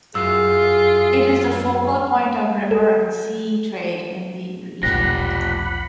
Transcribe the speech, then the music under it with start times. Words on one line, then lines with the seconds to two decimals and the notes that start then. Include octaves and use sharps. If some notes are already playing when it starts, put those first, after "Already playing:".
It is the focal point of river and sea trade in the region.
0.15 F#2 F4 G#4 E6
2.71 A4
4.83 E1 B1 A#2 F3 G4 F#5 B5 A#6